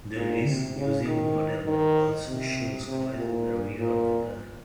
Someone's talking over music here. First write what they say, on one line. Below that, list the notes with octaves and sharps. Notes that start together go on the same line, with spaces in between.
The Rijksmuseum model also shows coils in the rear of the gun.
A#2
C3
C#3
D#3
D#3
C3
C3
A#2
A#2